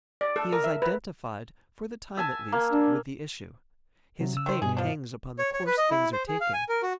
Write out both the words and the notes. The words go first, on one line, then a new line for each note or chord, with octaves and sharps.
He is identified, for the time at least, with the issue; his fate hangs upon the course things are taking.
D5
A4
A#4
E5
B4
E5 G#5 A5
A#3
D4
C3 F#3
C#3 E6
D#3 C5
G2 B2 G#4
F3 D4
C#5
C#5
B4
D#5
E4
C5
G#4
F5
G#5
A#4
F#4